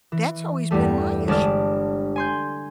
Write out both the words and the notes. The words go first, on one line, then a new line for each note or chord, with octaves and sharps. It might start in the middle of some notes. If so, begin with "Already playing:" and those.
that's always been my issue.
E3
E2 G2 G3 A3
G1 G#3 D5 A5 F6 E7
G#5 C6 G6